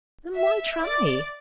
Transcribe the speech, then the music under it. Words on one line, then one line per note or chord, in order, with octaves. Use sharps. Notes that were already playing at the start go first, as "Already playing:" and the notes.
Then why try?
E5
D5